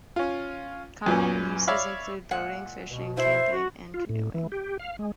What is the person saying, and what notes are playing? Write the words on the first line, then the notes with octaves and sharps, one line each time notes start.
Common uses include boating, fishing, camping and canoeing.
C#4 F4
F#2 A#2 B3 C#4
C#5 D5 E5 F5 B5
A#2 G#3 F#5
B2
E4 C5 E5
F#4
F4
A2
E3
G4
F5
G#3